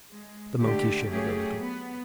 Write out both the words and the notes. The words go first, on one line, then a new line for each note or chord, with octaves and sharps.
The monkey shivered a little.
G#3
D3 G#3 A3 G4
F#3 A3 C#4 G4 G#4
B3